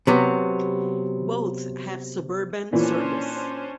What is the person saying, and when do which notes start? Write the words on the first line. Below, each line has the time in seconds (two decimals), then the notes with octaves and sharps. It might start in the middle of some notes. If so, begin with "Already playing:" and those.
Both have suburban service.
0.07 C3 F#3 B3
2.73 A#2 E3 C#4 D4 C5